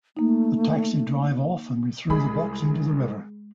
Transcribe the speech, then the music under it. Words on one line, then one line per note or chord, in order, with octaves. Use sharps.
The taxi drive off, and we threw the box into the river.
A3 A#3 D#4
C2 G#3 G#4 B5